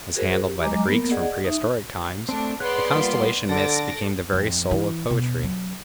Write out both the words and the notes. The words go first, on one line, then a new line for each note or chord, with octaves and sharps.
As handled by the Greeks from prehistoric times, the constellation myths became the very soul of poetry.
F#4 G#4 A#4 C5
G4
F#3 G#3 D#5 G#5 A#5 D6
A#3 B3 A#4
G#4 D5 D#5 F#5
D#4 E5
A3 C4 D4
B3 G#4 C#5 D5 C6 F#6
G3 A#3 F4
D3 A4 A6 A#6 D7
F2
E3
B2
F#3